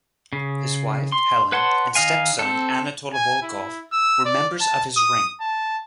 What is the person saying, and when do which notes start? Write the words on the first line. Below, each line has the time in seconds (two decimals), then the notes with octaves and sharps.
His wife, Helen and stepson, Anatole Volkov, were members of his ring.
0.33 C#3
1.12 C6
1.52 B4 C#5 F#5 A5 C6
1.95 D#3 D#5 F5 G#5
2.39 C4 A4
3.14 G#5
3.42 E4
3.92 E6
4.25 D5
4.61 A5
4.97 D#6
5.41 A5